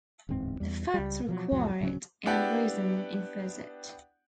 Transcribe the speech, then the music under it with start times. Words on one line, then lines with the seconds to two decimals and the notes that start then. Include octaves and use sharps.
The facts require it, and reason infers it.
0.29 D1 E2 G#2 C4
0.60 E2 G3
0.94 C#2 G3
1.27 B2 F3 F#3
1.51 C2 F2 A2 F#3
1.81 D1 C#3 F#3 C#4
2.26 B3 D4 E4 G4 F#5 G5